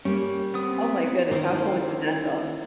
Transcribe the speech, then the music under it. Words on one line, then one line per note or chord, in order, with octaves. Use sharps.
Oh my goodness, how coincidental.
G3 A#3 C#4
B3 C4 D#6
D#3 A#3 C#4 E4 C5